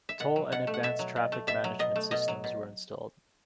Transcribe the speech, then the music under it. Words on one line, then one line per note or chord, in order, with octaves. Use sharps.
Toll and advanced traffic management systems were installed.
E5
B2 F#5
F#3
B2 F#5
A3
F#5
B2 E5
F#3
B2
A3
B2 E5
F#3
B2 D#5
A3
B2 D#5
F#3
B2